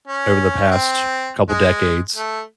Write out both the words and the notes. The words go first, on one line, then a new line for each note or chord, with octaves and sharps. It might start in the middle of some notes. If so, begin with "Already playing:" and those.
over the past couple decades
C#4
C4
G#3
A3